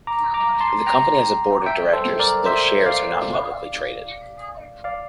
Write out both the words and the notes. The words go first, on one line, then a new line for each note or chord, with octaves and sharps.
The company has a Board of Directors though shares are not publicly traded.
A#5 D6
A#5 D6
A5 C6
G5 A#5
E5 G5
A4 C5
A#4 D5
C5 E5
D5 F5
D5 F5